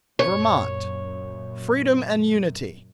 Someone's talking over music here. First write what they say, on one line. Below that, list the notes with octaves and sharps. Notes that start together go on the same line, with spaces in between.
Vermont--Freedom and Unity.
F#2 A#2 C#5